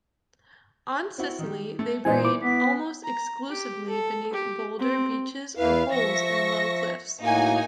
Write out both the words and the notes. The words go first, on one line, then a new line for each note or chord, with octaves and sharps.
On Scilly, they breed almost exclusively beneath boulder beaches or holes in low cliffs.
C4 E4 F#4
D#3 G3
A3
A#2 E3 G#3 D#4 C5 D#5 G#5
E4 D6
B3 B6
A#5
G4
A4
G4
C4
E2 E4 B4 F5
F3 E5 C#6 A#6
A2 A#3 D#4 F#4 G#5